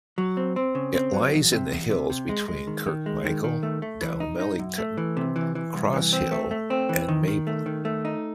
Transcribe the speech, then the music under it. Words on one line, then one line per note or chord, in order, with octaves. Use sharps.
It lies in the hills between Kirkmichael, Dalmellington, Crosshill, and Maybole.
F#3
C4
C4
C#3
C4
F#3
E2
C3
E2
C3
C3
G#3
G#3
D#3
D#3
G#3
D#3
D#3
A3
A3
E3
D#4
D#4
F#2
A3
E3
C3
E3
E3
C2
E3
C4
A3
A3
C4
E3
D#3
D#3
A3
D#3
A3
D#4